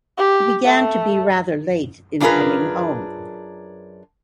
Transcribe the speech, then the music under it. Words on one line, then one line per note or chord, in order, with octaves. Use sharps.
He began to be rather late in coming home.
G4
A3
F#2 D4 F4 G#4 A#4 B4